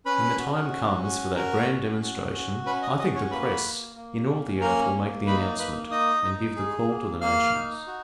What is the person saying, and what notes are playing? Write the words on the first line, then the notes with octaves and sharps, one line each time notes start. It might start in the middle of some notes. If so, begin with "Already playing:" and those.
When the time comes for that grand demonstration I think the press in all the earth will make the announcement, and give the call to the nations.
C#4 B4 B5
F#4
C#4
F#4
F#4 A#4 A#5
C#4
F#4
F#4
C#4 B4 B5
D#5 D#6
F#4 D#5 D#6
C#5 C#6
A#3 B4 B5
A#3
A#3
C#4
A#3 A#4 A#5
A#3
D#4 B4 B5
A#3 B4 B5
D#4 D#5 D#6
D#4
G#4
A#3
A#3 F5 F6
D#4
F#4